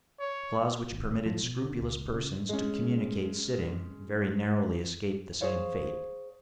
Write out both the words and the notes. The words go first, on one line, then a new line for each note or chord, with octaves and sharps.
The clause which permitted scrupulous persons to communicate sitting very narrowly escaped the same fate.
C#5
G#1
F3
B2
D3
C#2
C#3
G#3 C#4
G#4 C5 C#5 F5